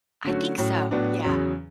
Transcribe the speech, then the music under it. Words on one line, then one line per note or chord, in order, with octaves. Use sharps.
I think so, yeah.
D3 F#3 A3 C#4 F#4
A2 F#3 C#4
A2 F#3 B3 D4
E2 C#3 F#3 C#4